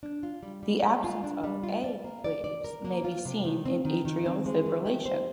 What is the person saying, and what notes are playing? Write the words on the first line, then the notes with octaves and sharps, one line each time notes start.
The absence of 'a' waves may be seen in atrial fibrillation.
D4
F4
G3
G3
G3
F4
D4
G3
F4
D5
A#3
D5
D5
A#4
A#3
F4
C3
D#3
C4
D#3
D#3
C4
G#3
D#3
G4
C5